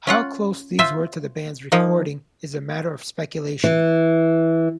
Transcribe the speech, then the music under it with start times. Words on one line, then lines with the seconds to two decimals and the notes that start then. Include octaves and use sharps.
How close these were to the Band's recording is a matter of speculation.
0.07 C#4 F4 F#5
0.79 F4 C5 E5 G#5
1.72 F3 A#3 D#4
3.64 E3